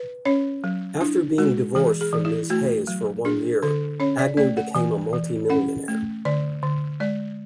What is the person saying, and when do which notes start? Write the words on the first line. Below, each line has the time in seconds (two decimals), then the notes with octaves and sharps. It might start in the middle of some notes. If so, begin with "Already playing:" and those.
After being divorced from Ms. Hayes for one year, Agnew became a multi-millionaire.
Already playing: B4
0.25 C#4 C#5
0.64 F#3
1.01 D4 E4
1.38 G#3 F#4
1.75 E3 G#4
2.01 G#4
2.13 E3
2.25 E4
2.50 A3 F#4
2.87 F#3
3.25 D4 G#4
3.62 D3 A4
4.00 C#4 C#5
4.19 D5
4.37 A3 D5
4.57 F#5
4.75 E3 G#5
5.13 E3
5.50 C#4 F#5
5.88 A3
6.25 D3 D5
6.63 D3
7.00 G#3 D5